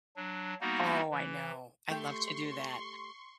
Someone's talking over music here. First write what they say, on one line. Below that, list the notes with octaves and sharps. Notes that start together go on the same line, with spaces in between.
Oh, I know. I love to do that.
F#3 D4
G3 A#3 B3 D#4 F#4
E3
A3 G4 C6 C#6